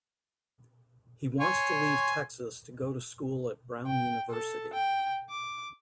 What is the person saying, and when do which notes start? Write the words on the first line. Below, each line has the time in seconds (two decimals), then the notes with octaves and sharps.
He wants to leave Texas to go to school at Brown University.
1.41 C#5 G#5 C6
3.87 G5
4.30 A4
4.73 G5
5.29 D6